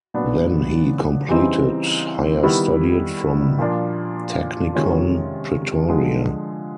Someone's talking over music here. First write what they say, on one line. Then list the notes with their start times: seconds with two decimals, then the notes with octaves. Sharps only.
Then he completed higher studied from Technikon Pretoria.
0.14 A#2 F#3 B3 D4
1.28 C#3 E3 G3 C4 D#4
2.43 D#3 G3 B3 E4
3.59 A#2 F3 A#3 D4 F4
4.73 C3 D#3 G#3 C#4 F4
5.89 D3 F3 G#3